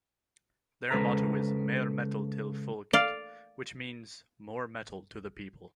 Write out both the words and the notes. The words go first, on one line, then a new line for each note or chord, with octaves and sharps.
Their motto is "Mer metal til folket", which means "More metal to the people".
C#3 G#3 A4 B4 C5 A#5
D5 F5